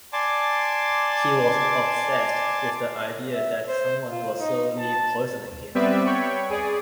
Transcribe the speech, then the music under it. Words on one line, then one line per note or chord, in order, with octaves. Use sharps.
He was obsessed with the idea that someone was slowly poisoning him.
D5 G#5 A5 C6 D6
E5
C5
F4
D#4
A5
G3 B3 C4 B4 D5 E5
C#5 G5 B5 C#6
G#4 D5